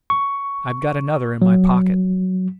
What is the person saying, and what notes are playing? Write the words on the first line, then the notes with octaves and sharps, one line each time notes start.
"I've got another in my pocket."
C#6
F#3